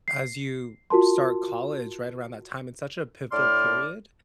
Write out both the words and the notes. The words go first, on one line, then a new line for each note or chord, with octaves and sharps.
as you start college right around that time, it's such a pivotal period,
C7
F4 F#4 A#4 A5 C6
A2 D4 D5 C6 D6 F6